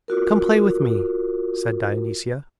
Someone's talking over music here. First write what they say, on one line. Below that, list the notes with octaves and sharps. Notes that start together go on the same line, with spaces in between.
"Come play with me," said Dionysia.
F4 F#4 A#4